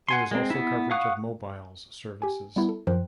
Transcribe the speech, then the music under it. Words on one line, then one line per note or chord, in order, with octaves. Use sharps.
There is also coverage of mobiles services.
F#5 G#5 C6
G#3 C4
B3 E4
F5 F#5 C#6 D#6 F#6
G4 G#5
G3 B3 E4
A4
F#2 F3 A#4 C5 G5 F#6